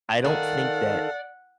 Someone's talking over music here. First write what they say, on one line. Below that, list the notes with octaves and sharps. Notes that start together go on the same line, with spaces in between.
I don't think that
D#3 A4 D5 F5 F#5